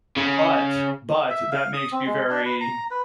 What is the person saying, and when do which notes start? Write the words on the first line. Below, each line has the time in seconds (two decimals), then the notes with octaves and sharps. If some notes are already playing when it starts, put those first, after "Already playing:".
but but that makes you very,
0.17 C#3
1.30 E5
1.52 F5
1.74 D#6
1.92 C4
2.06 G#3
2.29 D4
2.45 B4
2.61 A#5
2.91 B4